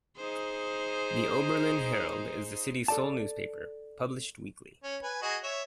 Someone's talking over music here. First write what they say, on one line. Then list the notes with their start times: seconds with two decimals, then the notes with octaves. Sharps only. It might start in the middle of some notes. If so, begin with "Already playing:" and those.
"The Oberlin Herald" is the city's sole newspaper, published weekly.
0.17 D#4 G#4 C5
2.88 A4 D5 A5
4.84 C#4
5.03 B4 G#5
5.22 F#4 G#4 D#5
5.43 C#5 E5